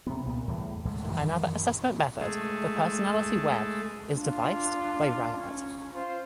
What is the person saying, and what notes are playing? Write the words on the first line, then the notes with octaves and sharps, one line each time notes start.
Another assessment method, the "Personality Web", is deviced by Raggatt.
C3 B3
C2 A#2 B3
E2 A2 G3
C#2 A2 D3 G#3
F#2 D#3 E3 G3
G#3 A3
D4 F4
C#4
F4 C5